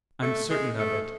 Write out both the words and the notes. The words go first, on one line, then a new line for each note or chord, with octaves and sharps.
"I'm certain of it."
A3
G#3
A3